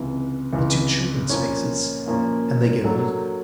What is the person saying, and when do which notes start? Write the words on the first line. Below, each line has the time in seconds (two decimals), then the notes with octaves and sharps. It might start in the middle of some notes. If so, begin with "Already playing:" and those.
The two children's faces, and they get older.
Already playing: C#2 C3 E3
0.53 C#2 C3 E3
1.30 A#2 F3 A#3 C#4
2.06 A#2 F3 A#3 C#4
2.84 F#3 A#3 D4 F#4 A4